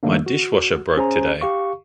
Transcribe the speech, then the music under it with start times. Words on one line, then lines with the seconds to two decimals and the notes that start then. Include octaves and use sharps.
My dishwasher broke today.
0.03 D#3 F3 G3 A3 A#3 D4
0.26 F#4
0.97 C#4 G#4 C5 G#5 A#5
1.41 G4 F5 C#6